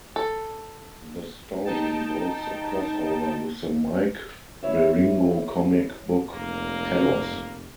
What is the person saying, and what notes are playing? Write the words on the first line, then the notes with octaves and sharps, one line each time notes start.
The story involves a crossover with the Mike Weiringo comic book "Tellos".
A4
D#4 G5 A5
E4 C#5 E5
F1 A#3